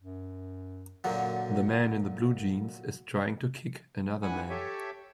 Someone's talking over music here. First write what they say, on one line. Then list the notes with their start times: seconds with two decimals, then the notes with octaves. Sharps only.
The man in the blue jeans is trying to kick another man.
0.01 F#2
1.04 F#2 A#2 D3 F#3
4.23 G2 E3 F#5 G#5 B5
4.50 G4 A4 C#5 E5